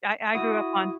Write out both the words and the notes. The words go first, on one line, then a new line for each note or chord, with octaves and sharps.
I I grew up on
E4 F#4 D#6